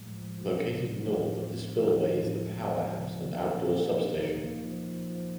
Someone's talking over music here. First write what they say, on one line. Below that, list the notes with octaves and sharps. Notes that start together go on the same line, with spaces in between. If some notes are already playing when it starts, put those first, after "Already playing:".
Located North of the spillway is the powerhouse and outdoor substation.
Already playing: A2 F3 G#3
F3
F3
B3
A2
F3
A2
B3
F3
F3
A2
G#3
B3
F3
F3
A#3
A#2
A#3
D#4
D#4
A#3
F3
F3
F3